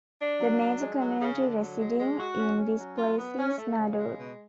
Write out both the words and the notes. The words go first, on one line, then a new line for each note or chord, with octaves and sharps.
The major community residing in this place is Nador.
D4
F#3
D4
G#3
F#3
C#3
D3
F#3
G#3
G#3
F#4
C#4
C#4
F#3
F4
B3
C#4
A3
C#3
G#3
B2